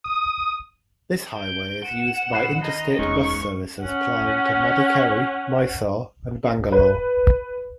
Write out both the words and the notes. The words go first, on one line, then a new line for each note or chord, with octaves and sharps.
This highway is used by interstate bus services plying to Madikeri, Mysore and Bangalore.
D#6
G6 D7
F#5 E7
A#2 B5 F#6 C7
D#3 D#5 A#5
E1 G#3 C#4 D#4 C#6
C#4 F#5
B4